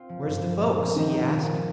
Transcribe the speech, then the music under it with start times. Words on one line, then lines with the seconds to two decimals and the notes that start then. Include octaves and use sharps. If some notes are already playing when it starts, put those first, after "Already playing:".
"Where's the folks?" he asked.
Already playing: C4 F4
0.09 F3
0.27 G2
0.44 F3
0.62 A#2
0.79 C4
0.96 D#3 D#4
1.14 F3
1.31 A#2
1.49 G#3